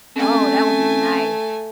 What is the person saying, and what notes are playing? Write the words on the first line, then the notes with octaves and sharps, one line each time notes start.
Oh, that would be nice.
A3 C4 C#4 G#5